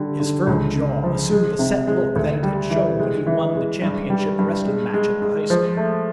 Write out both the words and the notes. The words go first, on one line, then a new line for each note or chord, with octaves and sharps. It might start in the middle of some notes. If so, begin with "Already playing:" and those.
His firm jaw assumed the set look that it had shown when he won the championship wrestling match at the high school.
Already playing: D3 G3
D3
C#2
C#3
F3
G#3
C3
G#3
D2
G3
E3
G#3
E3
G#3
G2
G3
G2
G#3
G#3
G#3
F3
A3